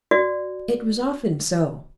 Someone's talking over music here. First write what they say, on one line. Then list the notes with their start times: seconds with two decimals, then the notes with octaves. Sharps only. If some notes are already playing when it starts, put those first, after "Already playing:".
It was often so.
0.11 F#4 D5